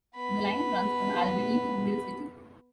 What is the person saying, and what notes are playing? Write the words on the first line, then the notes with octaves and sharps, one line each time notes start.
The line runs from Albany to Mill City.
B3 B5